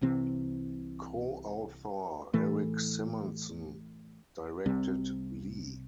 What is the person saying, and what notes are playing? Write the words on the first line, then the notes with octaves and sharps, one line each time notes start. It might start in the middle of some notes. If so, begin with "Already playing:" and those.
Co-author Eric Simonson directed Lee.
C2 C3 E3 C4
A2 E3 A3
C2 C3 G3 C4